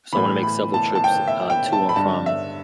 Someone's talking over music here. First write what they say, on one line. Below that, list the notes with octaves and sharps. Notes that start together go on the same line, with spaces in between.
So, I wanna make several trips, uh, to and from,
A2 E3 B5
B5
A5
A5
G5
E5
G5
A5
B5
G2 D3 A5
E5